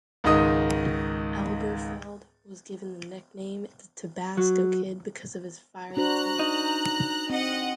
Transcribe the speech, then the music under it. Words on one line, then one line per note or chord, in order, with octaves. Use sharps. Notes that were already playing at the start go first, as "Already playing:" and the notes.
Elberfeld was given the nickname "The Tabasco Kid" because of his fiery temper.
C#2 G#2 D#3 D#5 D#6
F#3
D4 F#4 C5 A#5 F#6
D#4
C4 D#5 F#5